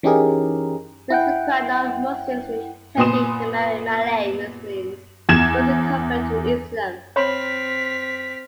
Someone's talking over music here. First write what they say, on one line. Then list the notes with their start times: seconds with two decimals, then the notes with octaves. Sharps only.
These require non-Muslims intending to marry Malay-Muslims first to convert to Islam.
0.03 E3 C#4 D#4 G4 G#4 A#4
1.10 E4 F#5 G5
2.97 A#2 B3 G#5 C6 D#6 E7
5.29 E2 G#6 E7
7.16 C4 C#5 B5 C6 F6 B6